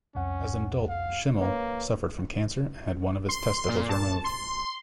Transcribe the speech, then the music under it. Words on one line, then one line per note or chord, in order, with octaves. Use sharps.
As an adult, Schimmel suffered from cancer and had one of his testicles removed.
C2 F2 C#4 F#5
F5
A#3 B4 C#5
C6
A#2
A5
C6